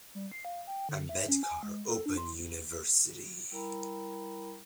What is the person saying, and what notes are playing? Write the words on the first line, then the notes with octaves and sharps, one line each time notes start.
Ambedkar Open University.
G3
C7
F5
G5
D3
E5
C#4
G#5
G#3
A4
D4
C6
G3 E4 A#4 G5 A#5 B5